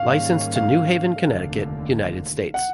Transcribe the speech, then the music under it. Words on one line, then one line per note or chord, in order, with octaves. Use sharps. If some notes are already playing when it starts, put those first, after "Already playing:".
Licensed to New Haven, Connecticut, United States.
Already playing: G#2 D#3 G3 A#3 C#4 F5
F5
F1 D#2 D3
F#5